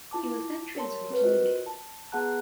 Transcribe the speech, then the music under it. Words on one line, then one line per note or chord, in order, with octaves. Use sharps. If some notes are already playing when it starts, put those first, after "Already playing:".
He was then transferred to Newgate.
E4 F4 A5 D6
G4 A#4 C#5 A5 C6
C4 G4 B4
F4 F#4 A#4 C5 D#5
A5
B3 G#4 F#5 A5 A#5 F#6